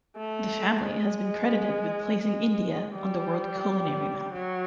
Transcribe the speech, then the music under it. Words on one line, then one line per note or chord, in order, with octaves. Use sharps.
The family has been credited with placing India on the world culinary map.
A3
G#3
G#3
G3
F#3